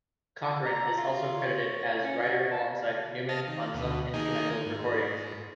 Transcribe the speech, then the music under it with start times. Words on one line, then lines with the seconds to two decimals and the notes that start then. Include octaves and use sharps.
Cochran is also credited as writer alongside Newman on some instrumental recordings.
0.65 A#5
0.97 F4
1.38 C#5
2.03 C#4
2.22 F#4
2.51 A5
3.29 D#5 F5 A5
3.48 D#3
3.74 D2 B2
4.14 D#3 A#3 D#4 G#4
4.66 G#2